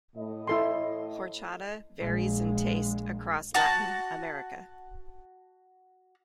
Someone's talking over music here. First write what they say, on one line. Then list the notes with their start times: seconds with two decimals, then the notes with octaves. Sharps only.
Horchata varies in taste across Latin America.
0.16 A2 D#5
0.47 E4 A4 C6
2.00 A#1 G#3
3.54 F#4 A5